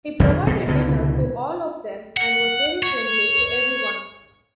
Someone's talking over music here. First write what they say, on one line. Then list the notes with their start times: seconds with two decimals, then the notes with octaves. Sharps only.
He provided dinner to all of them and was very friendly to everyone.
0.20 E2 B2 D3
0.47 B2
0.67 C#2 B2 D3 E3
2.17 F#5
2.83 C#5